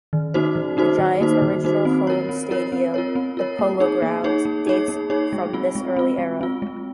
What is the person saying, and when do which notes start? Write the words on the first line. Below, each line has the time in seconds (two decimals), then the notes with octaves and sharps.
The Giants' original home stadium, the Polo Grounds, dates from this early era.
0.13 D#3
0.34 A#3 D#4 F#4 C5
0.56 D#3
0.77 A#3 D#4 F#4 C5
0.99 D#3
1.21 A#3 D#4 F#4 C5
1.42 D#3
1.64 A#3 D#4 F#4 C5
1.85 C4
2.07 F4 A#4 C#5
2.29 C4
2.51 F4 A#4 C#5
2.72 C4
2.94 F4 A#4 C#5
3.15 C4
3.37 F4 A#4 C#5
3.59 A#3
3.80 D#4 G#4 C#5
4.02 A#3
4.24 D#4 G#4 C#5
4.45 A#3
4.67 D#4 G#4 C#5
4.88 A#3
5.10 D#4 G#4 C#5
5.33 G#3
5.53 C4 F4
5.75 G#3
5.96 C4 F4
6.18 G#3
6.41 C4 F4
6.62 G#3